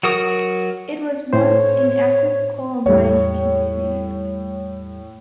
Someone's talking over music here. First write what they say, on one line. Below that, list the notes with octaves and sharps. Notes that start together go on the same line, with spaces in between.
It was once an active coal mining community.
F#3 F#4 A#4 D#6
A2 C5 C#5
E2 A2 G3 A3 C#5